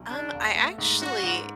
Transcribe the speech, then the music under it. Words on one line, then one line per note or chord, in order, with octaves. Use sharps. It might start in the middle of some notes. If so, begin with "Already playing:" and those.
Um, I actually
Already playing: B1
C#3 D4
E1
A3
G#2
C#4 F#4
G#2